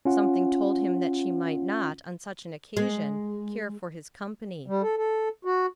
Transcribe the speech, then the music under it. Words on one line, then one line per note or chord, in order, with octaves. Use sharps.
Something told him that she might not, on such an occasion, care for his company.
C#4 F4 F#5
G#3
G3
A4
A4
F#4